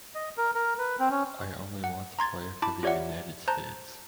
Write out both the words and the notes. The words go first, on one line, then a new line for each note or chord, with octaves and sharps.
I only want to play for the United States.
D#5
A#4
A#4
B4
C4
C#4
F#5
A#5 C6 G#6 A6
E4 A5 B5 D6
F4 G4 C#5 D5 E5 F#5
C5 A5 A#5 F#6 G6